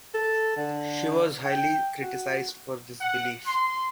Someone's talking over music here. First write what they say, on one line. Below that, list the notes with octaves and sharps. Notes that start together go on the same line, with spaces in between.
She was highly criticized for this belief.
A4
D3
G5
F#4
F#5
C6